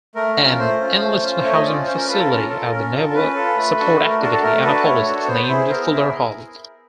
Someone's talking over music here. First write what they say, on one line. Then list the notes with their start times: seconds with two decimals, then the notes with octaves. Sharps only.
An enlisted housing facility at the Naval Support Activity Annapolis is named Fuller Hall.
0.15 A3 A#4
0.37 C#4 F4
0.58 A3 C5
0.80 C#4 F4
1.01 A3
1.22 C#4 F4
1.43 A3 C#5
1.54 D#5
1.65 C#4 F4 D5
1.86 C#4 C5
1.97 A#4
2.08 F4 A4 B4
2.18 A#4
2.28 C#4 A#4
2.50 F4 A4
2.71 C#4 A#4
2.93 F4 A4
3.14 C#4 B4
3.35 F4 A4
3.57 A3
3.78 D4 F#4 A4
3.99 A3 A#4
4.10 A#4
4.20 D4 F#4 A4 A#4
4.32 A4
4.43 A3 A#4
4.63 D4 F#4 A4 B4
4.84 A3 C#5
5.06 D4 F#4 A4
5.27 B3 C5
5.34 B4
5.42 C5
5.49 E4 G#4
5.70 B3 A#4
5.91 E4 G#4